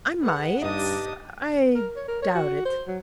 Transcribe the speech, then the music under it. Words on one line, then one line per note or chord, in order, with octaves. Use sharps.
'I might--I--doubt it.
G#4 B4 F#5
G1 G2 D4 D#4 G4 D#5 D#6
A#4
C#5
A#4
C#5
F#4
C5
F#3